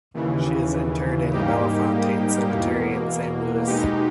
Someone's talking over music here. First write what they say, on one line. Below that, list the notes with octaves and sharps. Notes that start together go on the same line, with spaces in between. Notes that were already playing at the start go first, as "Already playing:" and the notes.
She is interred in Bellefontaine Cemetery in Saint Louis.
D#2 C#3 E3
G#2 G3 A#3 D#4 G4
E2 B2 A#3
B2 G#3 D#4 G4